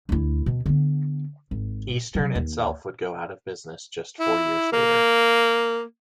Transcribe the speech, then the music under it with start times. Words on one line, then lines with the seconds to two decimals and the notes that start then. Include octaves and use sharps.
Eastern itself would go out of business just four years later.
0.09 D2 E4
0.46 B2
0.66 D3 B3
1.51 G#1
2.15 C3 F#3
2.35 D#2
4.20 E4
4.72 A#3